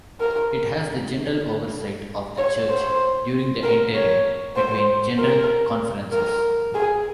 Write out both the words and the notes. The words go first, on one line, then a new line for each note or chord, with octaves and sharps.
It has the general oversight of the Church during the interim between General Conferences.
A#4
C#5
C5
A#4
C#5
C5
A#4
A#4
G#4